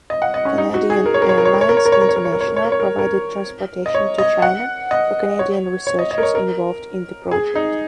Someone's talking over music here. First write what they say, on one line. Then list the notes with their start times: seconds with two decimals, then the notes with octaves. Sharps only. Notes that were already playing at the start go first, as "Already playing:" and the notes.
Canadian Airlines International provided transportation to China for Canadian researchers involved in the project.
0.10 D#5
0.22 F#5
0.34 D#5
0.45 C#4
0.58 D#4
0.74 F#4
0.90 G#4
1.06 A#4
1.14 C#5
1.22 A#4
1.29 C#5
1.38 A#4
1.45 C#5
1.54 A#4
1.61 C#5
1.69 A#4
1.77 C#5
1.86 A#4
1.92 C#5
2.01 A#4
2.09 C#5
2.16 A#4
2.25 C#5
2.32 A#4
2.41 C#5
2.48 A#4
2.56 C#5
2.65 A#4
2.72 C#5
2.80 A#4
2.99 A#4
3.86 D#5
3.94 C#5
4.18 D#5
4.42 F#5
4.91 D#5
5.39 C#5
5.87 C#5
5.99 D#5
6.11 D#5
6.18 A#4
6.23 C#5
6.35 A#4
7.31 G#4
7.55 D#4